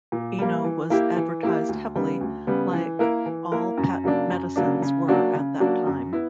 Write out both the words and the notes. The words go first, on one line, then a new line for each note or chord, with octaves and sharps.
Eno was advertised heavily, like all patent medicines were at that time.
A#2
G3 A#3
E3
A#3 E4 G4
E3
A#3 E4 G4
D2
C#3 G3 B3
D2
C#3 G3 B3
E3
A#3 E4 A#4
E3
A#3 E4 A#4
F#2
C#3 F#3 A#3 D4
F#2
C#3 F#3 A#3 D4
C#3
F#3 A#3 D4 F#4
C#3
F#3 A#3 D4 F#4
F#2
B3 E4